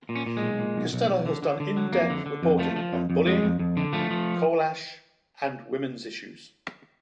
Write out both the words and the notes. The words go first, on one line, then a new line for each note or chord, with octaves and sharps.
Costello has done in-depth reporting on bullying, coal ash, and women's issues.
A#2
C#4
A#2
G#3
B1
A#2
B1
B1
B1
D3
D3
D3
F#3
F2 A#3
D3
D3
F2
F3 A3
F3
F2
F2
F2 G#3
F2
F2
D3
F3 A3
F3